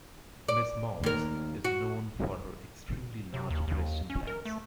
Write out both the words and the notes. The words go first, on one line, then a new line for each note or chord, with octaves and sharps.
Ms. Mounds is known for her extremely large breast implants.
D5
D#2 A#4
F#4
C3
D#2
D#2
C#4
A#4
A3